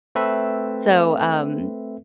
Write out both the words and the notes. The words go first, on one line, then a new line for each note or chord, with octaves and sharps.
So, um
A3 C4 A4 B4 E5